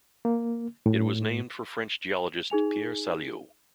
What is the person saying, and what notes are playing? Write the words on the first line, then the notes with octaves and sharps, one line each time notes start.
It was named for French geologist Pierre Saliot.
A#3
A2
D#4 G#4 G#5 F7